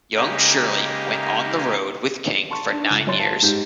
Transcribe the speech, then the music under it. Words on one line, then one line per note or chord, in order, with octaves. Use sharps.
Young Shirley went on the road with King for nine years.
C#3 G#3 A#3 D#4 G4
A5 C6 C#6
D4
C#2
F#2 C#5 C6 A6
F5 A5
G#2 G#3 G4 G6